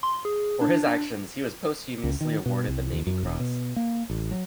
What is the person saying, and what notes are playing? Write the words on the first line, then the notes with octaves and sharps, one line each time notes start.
For his actions he was posthumously awarded the Navy Cross.
C6
G#4
D4
C#2
D#3
B2
C2
D#2
F#2
E1
B2
A#3
A1
F#3